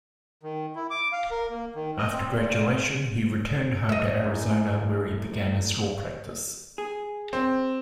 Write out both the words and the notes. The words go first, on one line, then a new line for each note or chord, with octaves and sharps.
After graduation, he returned home to Arizona, where he began his law practice.
D#3
E4
D6
F5
A#4
A#3
D#3
D#5
C4
A#2
D#5 E5
F#2 A2
G#4
C4